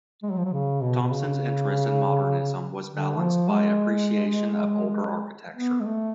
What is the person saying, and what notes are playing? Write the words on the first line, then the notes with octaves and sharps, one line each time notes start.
Thompson's interest in modernism was balanced by appreciation of older architecture.
G#3
F#3
F3
F#3
C#3
B2
B2
C#3
D3
F3
G#3
B3
G#3
A3